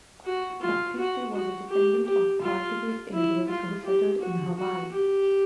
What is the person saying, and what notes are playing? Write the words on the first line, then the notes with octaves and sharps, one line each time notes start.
Baptiste was a descendant of Portuguese immigrants who settled in Hawaii.
F#4
F4
F#4
F#4
G4
G4
F4
E4
F4
G4
F#4
F#4
G4